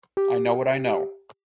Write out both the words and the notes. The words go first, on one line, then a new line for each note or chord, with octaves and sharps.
I know what I know.
G4